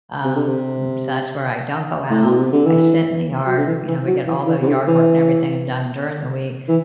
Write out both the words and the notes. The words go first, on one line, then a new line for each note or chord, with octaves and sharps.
Um, so that's where I don't go out, I sit in the yard, you know, we get all the yard work and everything done during the week,
C3
D3
C3
A2
B2
C3
D3
E3
F#3
D3
E3
E3
F#3
E3
E3
C3
D3
E3
E3